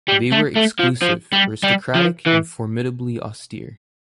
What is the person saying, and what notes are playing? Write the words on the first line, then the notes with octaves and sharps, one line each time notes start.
They were exclusive, aristocratic, and formidably austere.
G3
A3
A3
F3
F3
G3
G3
F3
E3